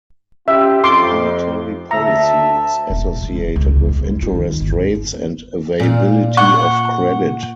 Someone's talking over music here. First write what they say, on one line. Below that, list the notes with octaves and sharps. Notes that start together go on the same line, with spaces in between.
Monetary policy is associated with interest rates and availability of credit.
C#4 F4 G4 E5
F2 C6 D6
D2 E5 A5 A#5
E1
G#3
F3
E1
C#2
C2
E2
G3
F4
D#2
G1
F2
A#2 F5
F#5 C#6